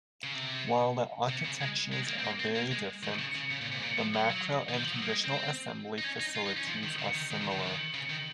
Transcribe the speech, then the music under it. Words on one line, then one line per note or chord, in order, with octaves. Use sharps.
While the architectures are very different, the macro and conditional assembly facilities are similar.
C#3
C3
C3
C#3
G#3
G#3
A#3
C4
A#3
C4
A#3
G#3
D#3
C#3
C#3
C#3
A#2
C3
G#2
A#2
F3
F#3
F#3
D#3
F3
F3
F#3
A#3
G#3
C4
D#4
C#4
D#4
F4
D#4
C#4
F3
D#3
C#3
D#3
D#3
C#3
D#3
C#3
D#3
C#3
D#3